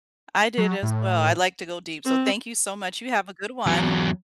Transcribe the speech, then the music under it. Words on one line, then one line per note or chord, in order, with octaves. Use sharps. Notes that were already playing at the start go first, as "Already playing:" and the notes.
I did as well. I'd like to go deep. So thank you so much. You have a good one.
F#3
A2
C4
E2 F#3